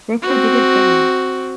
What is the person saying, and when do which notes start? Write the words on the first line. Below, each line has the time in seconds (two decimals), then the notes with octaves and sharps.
Rocco Did It Again!
0.22 C4 F#4